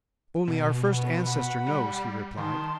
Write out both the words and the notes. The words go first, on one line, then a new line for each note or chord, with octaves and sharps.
"Only our first ancestor knows," he replied.
B2
B3
F#5 B5
G3
D#3 A5 C6